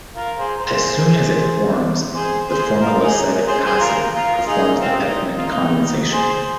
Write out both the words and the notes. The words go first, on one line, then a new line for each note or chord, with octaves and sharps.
As soon as it forms, the formylacetic acid performs the Pechmann condensation.
F4 A#4
G#4 C5
G#4 C5
G#4 C5
G#4 C5
F4 A#4
D#4 G#4
G#4 C5
G#4 C5
F4 A#4
F4 A#4
F4
D#4 G#4
C4 F4
D#4
F4
D#4
G#4 C5